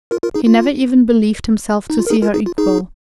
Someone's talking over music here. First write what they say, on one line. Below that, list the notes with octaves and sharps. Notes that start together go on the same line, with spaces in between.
He never even believed himself to see her equal.
F4 A#4
F4 A#4
D#4 G#4
F4
D#4
F4
A#4
D#4 G#4
F4 A#4
D#4 G#4
F4
D#4 G#4